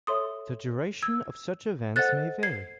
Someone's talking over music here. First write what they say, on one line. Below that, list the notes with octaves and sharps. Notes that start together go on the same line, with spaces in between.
The duration of such events may vary.
A4 C#5 E5 C6 D#6
E6 G#6
A4 C5 D#5 F#5 F#6 A6
G#6 C7